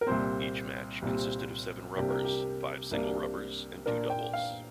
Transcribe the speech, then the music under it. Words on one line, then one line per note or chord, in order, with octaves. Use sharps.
Each match consisted of seven 'rubbers': five singles rubbers and two doubles.
A#4
C2 A#2 G3 C4 C5
C2 A#2 G3 C4
C2 C3 A#3 D4 G4
A#4
G4
C2 C3 A#3 D4
A#2 A#3 D4 A#4
G5
F5